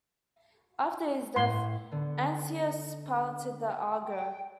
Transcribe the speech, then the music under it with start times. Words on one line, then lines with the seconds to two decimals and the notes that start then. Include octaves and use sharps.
After his death, Ancaeus piloted the "Argo".
1.36 A2 C6
1.92 D3 B3
4.03 G5